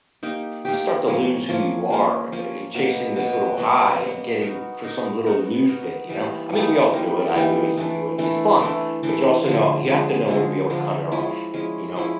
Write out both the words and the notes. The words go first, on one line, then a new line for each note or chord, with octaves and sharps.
you start to lose who you are, and, b eh eh chasing this little high, on getting for some little news bit, you know? I mean, we all do it, I do it, you do it, it's fun. But you also know you have to know when to be able to cut it off, you know?
A#3 D#4 G4
A#3 D#4 G4
F3 A#3 C#4
F3 A#3 C#4
F3 A#3 C#4
F3 A#3 C#4
B2 F#3 A#3
B2 F#3 A#3
B2 F#3 A#3
B2 F#3 A#3
B3 D#4 F#4 A#4
B3 D#4 F#4 A#4
B3 D#4 F#4 A#4
B3 D#4 F#4 A#4
E3 G3 A#3 D#4
E3 G3 A#3 D#4
E3 G3 A#3 D#4
E3 G3 A#3 D#4
E3 A3 D4
E3 A3 D4
E3 A3 D4
E3 A3 D4
D3 F3 G#3
D3 F3 G#3
D3 F3 G#3
D3 F3 G#3
F3 G#3 C#4 E4
F3 G#3 C#4 E4
F3 G#3 C#4 E4